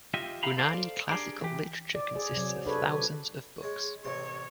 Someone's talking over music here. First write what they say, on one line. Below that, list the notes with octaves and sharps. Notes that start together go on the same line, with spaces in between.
Unani classical literature consists of thousands of books.
F4 G4 D#5 E5
B3 E4 G4 F5 A#5 B5
A4 C5 D5 F5
D4 G4 G#4 A#4 D5
E3 G4
D5
G#4 D5
C3 F#3
D4 G#4 A4 B4 C#5
G#3 C#5
A1 C3 C#5 C6